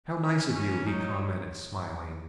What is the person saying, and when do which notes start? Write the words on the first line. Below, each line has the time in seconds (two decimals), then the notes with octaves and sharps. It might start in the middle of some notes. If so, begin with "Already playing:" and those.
"How nice of you!" he commented, smiling.
0.22 E3 C#4
0.55 C#4
0.86 F#3 D#4